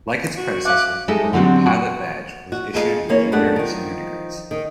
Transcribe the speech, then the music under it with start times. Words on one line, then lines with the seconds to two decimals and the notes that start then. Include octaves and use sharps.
Like its predecessor, the Balloon Pilot Badge was issued in junior and senior degrees.
0.37 F#4
0.65 E5 F5 D6 F#6
1.08 G3 G#3 D#4 A4 E5
1.33 D3 F#3 G3 C4 D4
1.66 F#4
2.52 F#4
2.74 F2 G#3 A4 F5
3.09 E3 A#3 C#5
3.32 F#2 A3 B3 D4 G4 F#5
3.56 D#3 F3
4.51 D#3